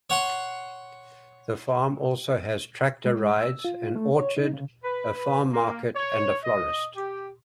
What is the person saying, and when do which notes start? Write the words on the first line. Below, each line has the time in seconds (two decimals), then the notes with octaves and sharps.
The farm also has tractor rides, an orchard, a farm market and a florist.
0.10 C#5 F#5 C6
3.05 G#3
3.39 E6
3.64 F4
3.96 A3
4.16 C#5
4.37 D#4
4.54 C#3
4.83 B4
5.52 A#3
5.95 C#5
6.44 D#5
6.96 G4